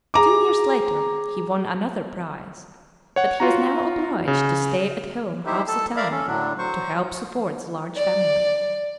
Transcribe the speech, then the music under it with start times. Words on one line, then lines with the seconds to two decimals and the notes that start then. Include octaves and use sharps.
Two years later, he won another prize; but he was now obliged to stay at home half the time to help support the large family.
0.14 G#4 A#5 D6
3.16 C#5 F#5
3.40 F4 F#4 A#5
4.28 C#3
5.46 D#4 E4 G4 C5 E5
5.68 A4 A5
5.96 A#4 D5 E5 F5 A#5 B5
6.11 C#4 A4
6.27 A2 D3 F#3 D4
6.59 F#3 C5 C#6
7.94 D5